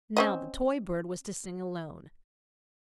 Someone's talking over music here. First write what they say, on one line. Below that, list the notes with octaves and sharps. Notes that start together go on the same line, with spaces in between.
Now the toy bird was to sing alone.
C4 C#4 D#5